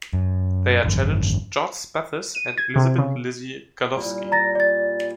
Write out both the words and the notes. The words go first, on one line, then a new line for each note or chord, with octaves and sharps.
They are challenged George Spathis and Elizabeth "Lizzy" Garlovsky.
F#2
G#1 F#2
D#7
G#6
C3
C#3
A#2 G3
A#5 A6 A#6
D5 A6